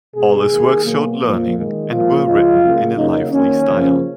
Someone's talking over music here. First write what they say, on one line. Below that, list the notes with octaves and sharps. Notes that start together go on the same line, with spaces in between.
All his works showed learning, and were written in a lively style.
B2 G#3 G#4
D#3 A#3
B2 F#3 A#3
A#2 F3 A#3
D#3 G#3
A#2 F3 A#3 F4
C#3 F3 G#3 F4
C#3 F#3 A#3
C#3 F#3 A#3 D#4
D#3 F#3 A#3 C#4
C#3 F3 A#3